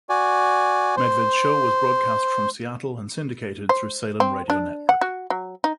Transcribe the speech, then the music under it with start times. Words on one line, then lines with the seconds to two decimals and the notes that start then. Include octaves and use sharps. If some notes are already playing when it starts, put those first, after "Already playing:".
Medved's show was broadcast from Seattle and syndicated through Salem Radio Network.
0.09 F#4 D5 G#5
0.97 C5
3.69 C5
4.20 C4
4.50 D4
4.89 F#5
5.01 F#4
5.30 F#3
5.64 D#4